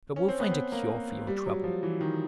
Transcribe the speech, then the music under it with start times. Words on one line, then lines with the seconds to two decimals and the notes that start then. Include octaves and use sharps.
But we'll find a cure for your trouble.
0.16 C#4
0.28 C4
0.40 B3
0.51 C4
0.72 A#3
1.27 G3
1.46 F#3
1.64 F3
1.83 E3
2.01 D#3